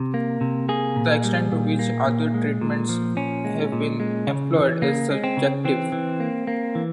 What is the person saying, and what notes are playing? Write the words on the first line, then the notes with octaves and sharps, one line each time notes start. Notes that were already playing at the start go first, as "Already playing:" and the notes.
The extent to which other treatments have been employed is subjective.
Already playing: C3
A#3
C3
A#3 G#4
A#2
G3
A#2
A#3
A#2
G#3
A#2
F3
A#2 C#4
G#3
A#2
G#3
C#3
E3
C#3 A#3
G#3
C4
C#3
E3 C4
E3
A#3
A#3
E3